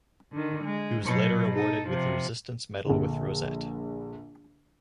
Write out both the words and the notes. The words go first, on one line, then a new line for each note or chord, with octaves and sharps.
He was later awarded the Resistance Medal with rosette.
D3 D#3
G#3
B2 F#3
D#4 A4
C3 F3
A#1 D3